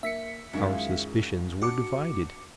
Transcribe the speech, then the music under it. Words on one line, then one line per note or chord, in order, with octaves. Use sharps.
Our suspicions were divided.
A#3 E5 B6 C#7
F#2 D#3 G#3 E4 F4
D4 F#4 D6 C#7